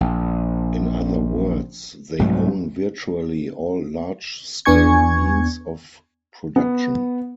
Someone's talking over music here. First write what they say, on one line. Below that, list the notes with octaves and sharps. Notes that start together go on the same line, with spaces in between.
In other words, they own virtually all large-scale means of production.
A#1
C2 G#2 F#3 A3
E2 B3 D4 G#5 C#6 G#6
B3